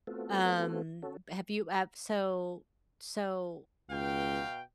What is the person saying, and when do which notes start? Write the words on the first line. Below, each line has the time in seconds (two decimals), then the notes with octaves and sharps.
Um, have you ev so so
0.07 A3 B3 C4 F4 F#4 A4
1.02 C#4 F#4 A4
3.90 C#2 B2 F5 G5